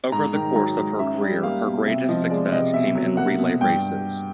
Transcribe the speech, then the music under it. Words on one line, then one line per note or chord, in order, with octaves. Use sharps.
Over the course of her career her greatest success came in relay races.
G#2 A#5
D#3
F#3 A#5
G#2
C#4 E5
G3
A#3 F5
B2
C3 E5
F3 D#5
G#3 D5
C3 D#5
B2 E5
F#3
A#3 F#5
B2
G2 G5